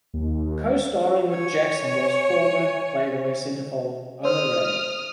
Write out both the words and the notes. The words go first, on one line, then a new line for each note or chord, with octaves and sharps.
Co-starring with Jackson was former "Playboy" centerfold Ola Ray.
D#2
C#5 G#5
C5 D#6 F6